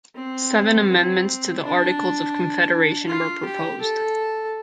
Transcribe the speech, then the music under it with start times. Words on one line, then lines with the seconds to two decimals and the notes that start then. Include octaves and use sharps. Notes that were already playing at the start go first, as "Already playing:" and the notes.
Seven amendments to the Articles of Confederation were proposed.
0.15 C4
0.89 C4
1.62 D4
3.07 F4
3.45 G4
3.81 A4